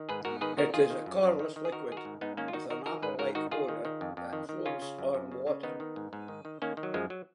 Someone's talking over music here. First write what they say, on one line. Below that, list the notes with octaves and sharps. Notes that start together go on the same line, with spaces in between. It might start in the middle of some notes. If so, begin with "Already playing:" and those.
It is a colorless liquid with an apple-like odor, that floats on water.
Already playing: D#3
G#2 G#4 B4
G#2 F#4 A#4
D#3 G#4 B4
D#3 F#4 A#4
D#3 F4 G#4
D#3
F#2
F#2
D#3
D#3
G#4
D#3 F#4 A#4
D#3 G#4
F#4 A#4
G#2
G#2 B3 D#4
D#3 A#3 C#4
F4
D#3 D#4 F#4
D#3 F#4 A#4
D#3 F#4 A#4
G#2 G#4 B4
G#2 F#4 A#4
D#3 D#4 F#4
D#3 F4 G#4
D#3
D#3
F2
F2
D#3
D#3
C#3 C#4 F4
C#3
F#2
F#2
C#3
C#3
D#3 B3 D#4
D#3
G#2
G#2
D#3
D#3
D#3 A#3 C#4
D#3
F#3
F#2 F3 G#3
F#3